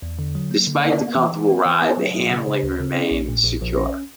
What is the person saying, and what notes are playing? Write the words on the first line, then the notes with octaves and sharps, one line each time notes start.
Despite the comfortable ride, the handling remained secure.
E2
D3
F#3
A#3
D3
A#3
B3
E3
E3
B3
E3
B3
F#3
F#3
C#3
C#3
D2
C#3
C#4
A#1
A#2
A#1
A#1
C#4